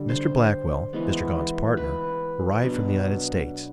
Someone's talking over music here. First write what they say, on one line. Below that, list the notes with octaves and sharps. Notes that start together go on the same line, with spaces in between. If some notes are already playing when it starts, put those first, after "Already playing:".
Mr. Blackwell, Mr. Gaunt's partner, arrived from the United States.
Already playing: D3 G3
C5
E3 G#3 B3
B4
B2 F#3 B3 D4